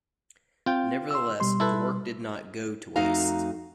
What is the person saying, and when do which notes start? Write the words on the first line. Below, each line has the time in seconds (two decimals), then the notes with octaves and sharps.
Nevertheless the work did not go to waste.
0.66 C4 F4 G5
1.11 C6 E6
1.40 B2 G3 C6
1.60 E4 A4 B4
2.96 F2 A3 D#4 F#4 F5 A#5